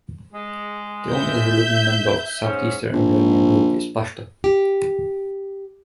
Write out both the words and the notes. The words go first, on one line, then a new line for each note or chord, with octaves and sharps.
The only other living member of the Southeastern Iranian group is Pashto.
G#3
E5 G6
G#2 C#4
A#1
G4